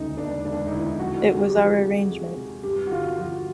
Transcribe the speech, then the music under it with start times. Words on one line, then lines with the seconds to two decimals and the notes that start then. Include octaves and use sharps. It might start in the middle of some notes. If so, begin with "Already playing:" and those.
It was our arrangement.
Already playing: E1 D2 C#3 D#4
0.17 E1 D4
0.45 E1 D4
0.67 D#4
0.72 D2 E4
0.99 F2 F#4
1.26 C3
1.34 G#4
1.41 G4
1.55 F3
1.82 G#3
2.09 F2
2.37 C3
2.63 G2 G4
2.87 F#4
2.91 D3 F4
3.18 F3 F#4